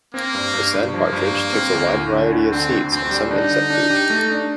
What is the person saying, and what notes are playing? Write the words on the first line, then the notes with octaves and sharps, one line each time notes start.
The sand partridge takes a wide variety of seeds and some insect food.
A#3 C4
G2
G2
G2
F3 A#3
G2
G2
C4
D2
D2
D3
D2
D3 C4
D2
D2 C4
G3
D4 D#4
D3
D4
G4
A3
D4